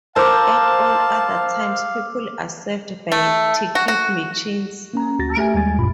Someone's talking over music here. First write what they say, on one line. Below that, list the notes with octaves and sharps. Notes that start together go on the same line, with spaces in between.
At all other times, people are served by ticket machines.
A#4 C5 F5 A5 D6 E6
A3
F#4
F#4
A#3 C#4 A#5
D2 F#4 A6 A#6
A3 G4 E5 G#5
D#2 G3 G#3 G#5 A6
A1 F#2 A#2 F4 B5